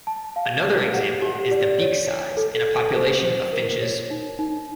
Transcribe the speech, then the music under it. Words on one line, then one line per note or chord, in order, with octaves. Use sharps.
Another example is the beak size in a population of finches.
A5
F5
G4
F#5
G4
D5
C#5
C#5
A4
A4
C5
C5
A#4
C#5
D#4
D#4